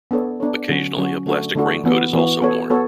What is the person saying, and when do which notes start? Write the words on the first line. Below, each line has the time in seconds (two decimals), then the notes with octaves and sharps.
Occasionally a plastic raincoat is also worn.
0.11 B3 D4 A4 C#5
0.40 B3 D4 A4 C#5
0.69 D3 F#3 C#4 F#4
0.97 D3 F#3 C#4 F#4
1.26 D3 A3 D4 F#4 A4
1.55 D3 A3 D4 F#4 A4
1.84 E3 B3 F#4
2.13 E3 B3 F#4
2.42 B3 F#4 A4 C#5
2.70 B3 F#4 A4 C#5